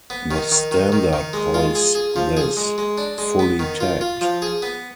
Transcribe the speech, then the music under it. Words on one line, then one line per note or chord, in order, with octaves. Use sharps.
The standard calls this "fully tagged".
B3
D#3
D#3
D#3
D#3
D#3
G#3
F4
G#4
G#4
F3
G#4
G#3
G#3
D4
G#3
B3
D#3
F4
F4
F3
G#4
B3